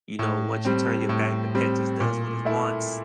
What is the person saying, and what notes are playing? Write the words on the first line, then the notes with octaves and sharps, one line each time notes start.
you know, once you turn your back, the pet just does what it wants?
A2
G3 C4
A2
G3 C4
A#2
A3 E4